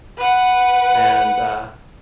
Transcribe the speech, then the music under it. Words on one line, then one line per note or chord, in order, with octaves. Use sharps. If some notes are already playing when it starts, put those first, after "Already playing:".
And, uh
B4 F#5